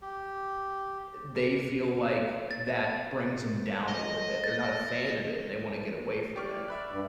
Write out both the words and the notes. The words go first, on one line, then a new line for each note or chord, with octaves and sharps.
i they feel like that brings 'em down a little bit. They're not a fan of it, and they wanna get away from it,
G4
A6
D#5
A6
G4 D5 C#6 F6
E5 B5 F#6
G2